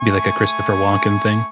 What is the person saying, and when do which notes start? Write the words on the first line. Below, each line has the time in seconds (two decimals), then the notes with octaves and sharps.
be like a Christopher Walken thing.
0.01 A3 G#5 C#6